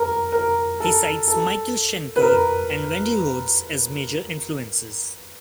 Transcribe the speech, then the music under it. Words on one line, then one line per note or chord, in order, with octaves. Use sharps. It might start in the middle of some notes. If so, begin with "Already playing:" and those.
He cites Michael Schenker and Randy Rhoads as major influences.
Already playing: A#4
A#4
A4
A4
B4
A#4